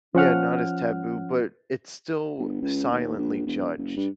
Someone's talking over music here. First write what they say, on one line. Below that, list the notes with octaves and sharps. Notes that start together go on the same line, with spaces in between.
Yeah, not as taboo, but it's still silently judged.
F3 C#4 F#5 F6
G1
C#2
D#2
A#1
E1
F#1
G2